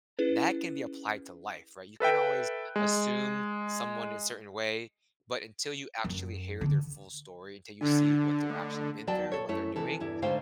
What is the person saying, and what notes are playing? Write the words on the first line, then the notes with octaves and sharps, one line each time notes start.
that can be applied to life, right? You can always assume someone is a certain way, but until you actually hear their full story, until you see what they're actually been through and what they're doing,
C#4 E4 G#4 B4
A4 B4 E5 G5
G#3
F#2
D3
D3 D4
A3
E2 F#3 D5 G5 A5
A4 C#5
F#2 A3 E4 C#5
C3 E3 A4
E2 G2 G3 E4
G#2 D3 A3 C5 F5 G5